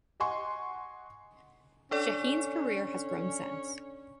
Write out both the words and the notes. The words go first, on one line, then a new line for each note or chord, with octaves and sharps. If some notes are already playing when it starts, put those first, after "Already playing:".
Sheheen's career has grown since.
D#5 F#5 G#5 C6 C#6
C#4 D4 A4 D5